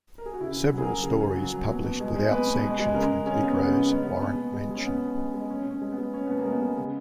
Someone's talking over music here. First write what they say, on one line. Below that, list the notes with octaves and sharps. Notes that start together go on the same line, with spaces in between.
Several stories published without sanction from Glidrose warrant mention.
A#4
G#4
F#4
C#3 E4
C#3
F#3 G#4
A#4
F#3
C#3
C#3
F#3
F#3
B2
B2
G#3
G#3
B2 B4
B2
G#3
G#3
C#3 A#4
C#3
G#3 C#4
G#3 B3
C#4
C#3 B3
C#3 C#4
B3
G#3 C#4
G#3 B3
B2 B3
B2
G#3
G#3 C#4
B2 B3
B2
G#3
G#3
B2 C#4
B2
C#4
G#3
B3
G#3
B2 C#4
B2 B3
A#3
G#3
B3
G#3
C#3